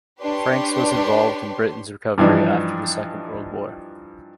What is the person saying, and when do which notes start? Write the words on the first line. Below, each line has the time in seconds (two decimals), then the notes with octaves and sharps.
Franks was involved in Britain's recovery after the Second World War.
0.21 D4 G4 B4 C#5 C6
2.18 G2 E3 F3 D4 D#4